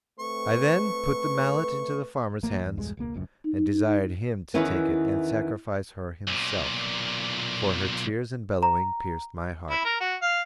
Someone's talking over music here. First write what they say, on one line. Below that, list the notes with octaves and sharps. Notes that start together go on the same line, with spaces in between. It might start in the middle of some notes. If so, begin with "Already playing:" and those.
I then put the mallet into the farmer's hands, and desired him to take it and sacrifice her himself, for her tears and bellowing pierced my heart.
A3 C4 B4 C#6
A1 A3 A#3
E2
B1 E2 G2 G#3
E1 C#2 A#3
F1 C#2 F#2
D#4
E2 D#3 E3 C#4 E4 B4
B1 A#2
A#5
E4
A#4
F#4
F5